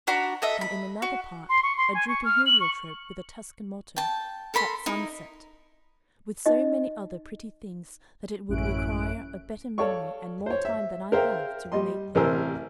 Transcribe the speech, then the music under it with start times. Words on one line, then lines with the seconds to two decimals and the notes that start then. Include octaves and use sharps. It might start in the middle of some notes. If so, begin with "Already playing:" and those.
And in another part a drooping heliotrope with a Tuscan motto: AT SUNSET--with so many other pretty things that it would require a better memory and more time than I have to relate them.
0.07 D4 F#4 A#5 B5
0.42 A4 D#5 E5
0.61 B5
1.02 F#4
1.49 C6
1.63 C#6
1.77 C6
1.94 G#5
2.08 C#6
2.25 F6
2.46 F#7
2.60 C#6
3.96 G5 A5
4.54 A4 A#4 B5 C6
4.86 D#4 E4
6.46 D#4 D#5
8.48 A1 F#2 C#4 E4 F#6 D7
9.78 A4 C#5 D5 F5 C#6
10.46 C5 C#5
10.65 E5
11.11 G#4 A#4 C5 E5 F5 G5
11.72 G3 D#5 C6
12.15 A1 C3 A#4 C5 G#5 E6